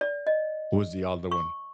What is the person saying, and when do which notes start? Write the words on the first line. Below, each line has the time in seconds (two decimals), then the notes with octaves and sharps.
what was the other one?
0.01 D5
0.27 D#5
1.31 C#6